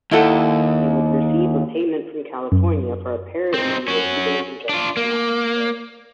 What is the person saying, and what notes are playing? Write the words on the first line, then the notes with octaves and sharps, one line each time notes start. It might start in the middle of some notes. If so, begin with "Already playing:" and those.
They would receive a payment from California for apparently relieving congestion on the grid.
D#2 E4 A4 F#5
F#2
C4 D#4
C#4 F#4
D4 F4
A#3